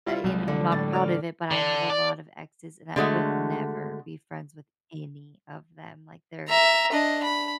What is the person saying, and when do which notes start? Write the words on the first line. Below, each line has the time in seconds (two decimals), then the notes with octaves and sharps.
I you know, I'm not proud of it, but I have a lot of exes, and I would never be friends with any of them, like, they're
0.06 G3 E4 F4
0.24 C2 F#3 G#3
0.48 D3
0.71 A2 A6
0.93 D5 F6
1.51 D3
1.90 D5
2.96 D3 G#3 A3 F#4
6.48 E5 A#5
6.92 D4 D#5
7.23 B5